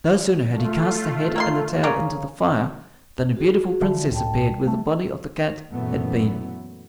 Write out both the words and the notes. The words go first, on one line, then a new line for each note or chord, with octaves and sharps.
No sooner had he cast the head and the tail into the fire than a beautiful Princess appeared where the body of the cat had been.
A3 F4
A#3 E5 C6
C#3 A#3 C#4
F#4 G#4
D3 E3 F3
C#2 A2 G5 A5
G3
A3
F#2 A#2 E3 F#3 A3 B3